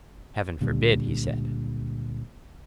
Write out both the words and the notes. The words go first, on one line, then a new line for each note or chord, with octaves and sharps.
Heaven forbid, he said.
C#2 A#2 D3 G3